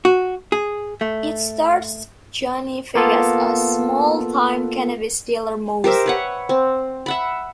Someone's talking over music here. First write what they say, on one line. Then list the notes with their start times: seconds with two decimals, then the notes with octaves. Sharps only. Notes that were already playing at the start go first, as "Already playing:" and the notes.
It stars Johnny Vegas as small-time cannabis dealer Moz.
0.05 F#4
0.52 G#4
1.01 A3
2.95 A#3 B3 F4 A4
5.84 G4 A#4 C5 E5
6.06 B4 C#5 F#5
6.49 C4
7.06 E5 F#5 B5